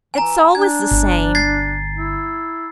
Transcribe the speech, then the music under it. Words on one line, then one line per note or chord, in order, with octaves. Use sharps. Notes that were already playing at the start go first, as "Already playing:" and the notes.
It's always the same.
E3 G#5 A#5
D4 G#6
G1
G#6 A6 C7
E4